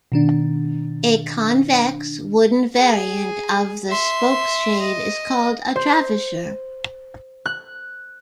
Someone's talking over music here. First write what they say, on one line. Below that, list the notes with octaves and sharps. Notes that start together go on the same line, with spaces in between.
A convex, wooden, variant of the spokeshave is called a travisher.
B2 D#3 D4
G#4
E5 C6
D#5
C5
F#6